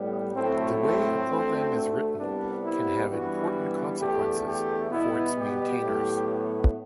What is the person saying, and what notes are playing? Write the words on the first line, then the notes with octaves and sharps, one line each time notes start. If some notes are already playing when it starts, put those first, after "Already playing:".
The way a program is written can have important consequences for its maintainers.
Already playing: A2 G3 B3
A2 F#3 A3 C4
C4
D2 D3 A3
C2 C3 G3 B3 D4
E4
G2 E3 G3 B3 F#4
E2 D3 A3 G4
G4
B2 G3 B3 E4
G4
A2 F#3 B3